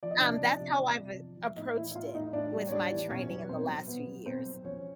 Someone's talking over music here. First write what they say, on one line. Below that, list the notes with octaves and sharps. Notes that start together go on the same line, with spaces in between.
um, that's how I've been approached it with my training in the last few years.
F3 D5
D#5
C3 D4 D5
F3
C3
C3
C3
F3
F3
E5
A2 D#4 D#5
E3 E4 E5
E5
A2 F4 F5
A2 D#4 D#5
A2 D4 D5
G3
C#5
G3 D4 D5
E3
B2 C#4 C#5
F#3
B2 C4 C5
F#3
B2 B3 B4
F#3
B2 C4 C5
F#3
F3 C#4 C#5